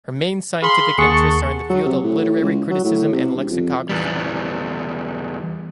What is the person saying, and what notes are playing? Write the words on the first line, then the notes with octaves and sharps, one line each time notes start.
Her main scientific interests are in the field of literary criticism and lexicography.
G#4 F5 B5 C6
D#2 G#4 F#5 A5 C#6 C#7
F#3
C3
A2
C#2
F#3
A2
C3
E1
F2
E2 G3